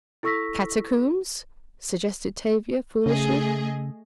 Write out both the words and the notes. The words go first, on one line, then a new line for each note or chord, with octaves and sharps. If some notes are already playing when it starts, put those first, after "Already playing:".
"Catacombs?" suggested Tavia, foolishly.
E4 A4 C#6 E6 A#6 B6
C#3 A3 G#4 D#5